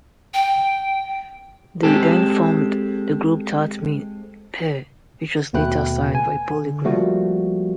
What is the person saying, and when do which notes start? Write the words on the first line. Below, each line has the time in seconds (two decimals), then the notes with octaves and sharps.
They then formed the group Tat Ming Pair, which was later signed by Polygram.
0.34 G5
1.83 G#3 C4 G4 A4
5.53 D#2 B2 A3 B4 G5 F#6
6.15 G#5
6.50 D3
6.85 F3 G3 A3 A#3 F#4